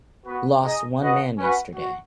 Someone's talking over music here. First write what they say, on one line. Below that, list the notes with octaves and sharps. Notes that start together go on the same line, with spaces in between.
Lost one man yesterday.
B3 F#4 B4
D#4 G#4 D#5
F#4 B4 D#5 F#5
C#4 F#4 B4 F#5
F#4